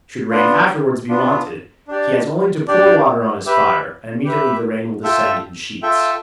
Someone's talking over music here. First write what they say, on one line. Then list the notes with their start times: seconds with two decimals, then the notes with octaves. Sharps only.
Should rain afterwards be wanted, he has only to pour water on his fire, and immediately the rain will descend in sheets.
0.31 B3 D4 F4
1.09 B3 D4 F4
1.88 D4 G4 D5
2.68 D4 G4 D5
3.46 G4 B4 E5
4.25 G4 B4 E5
5.03 F4 A4 E5 G5
5.82 F4 A4 E5 G5